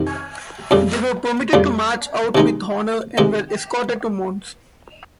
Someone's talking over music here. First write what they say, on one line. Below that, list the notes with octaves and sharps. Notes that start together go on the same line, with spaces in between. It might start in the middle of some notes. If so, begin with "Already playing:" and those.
They were permitted to march out with honour and were escorted to Mons.
Already playing: F2 C3 D#3
F2 C#3 G3
F2 C#3 G3
C3 D#3 G#3 D#4
C3 D#3 G#3 D#4